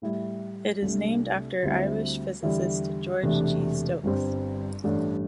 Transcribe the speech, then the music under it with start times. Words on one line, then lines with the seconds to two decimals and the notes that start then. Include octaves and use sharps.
It is named after Irish physicist George G. Stokes.
0.02 A2 G3 E4
0.82 C2 C3 A3 D4
1.62 D2 D3 G3 C4 E4
2.42 E2 D3 G3 E4
3.22 E1 E2 C3 A3 D4
4.03 G1 G2 G3 C4
4.84 A1 G2 G3 D4 A4